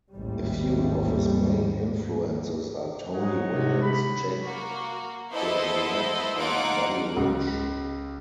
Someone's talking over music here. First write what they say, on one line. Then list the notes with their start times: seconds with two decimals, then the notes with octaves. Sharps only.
A few of his main influences are Tony Williams, Jack DeJohnette and Buddy Rich.
0.12 A1 D#2 G#2 G3
3.14 G#2 C#5 D#5 F#5
3.49 C3
3.82 B5
4.42 A#3 F#4
5.31 B3 E4 A4 C5 D#5
6.35 A#3 D#4 F4 F#5 D7
7.17 C#2